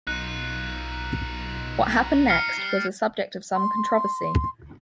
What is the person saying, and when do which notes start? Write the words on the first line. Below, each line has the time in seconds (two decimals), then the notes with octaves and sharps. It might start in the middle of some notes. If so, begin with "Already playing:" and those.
What happened next was a subject of some controversy.
0.07 B1 D#4 F4 F#6
2.28 F6 C7 C#7
2.59 G3
3.55 C6